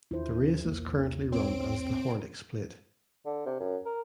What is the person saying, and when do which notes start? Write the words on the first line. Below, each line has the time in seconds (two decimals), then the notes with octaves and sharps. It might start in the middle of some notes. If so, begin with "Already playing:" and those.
The race is currently run as the Horlicks Plate.
0.11 D#2 D#3 D4 E4 F4 C5
0.64 B1 E2 A#3
1.32 C4 C#5 D7
3.26 D3
3.46 C3
3.60 F#2
3.86 A#4